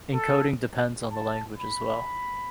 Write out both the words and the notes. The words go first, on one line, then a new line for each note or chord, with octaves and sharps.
Encoding depends on the language as well.
A4
A5
B5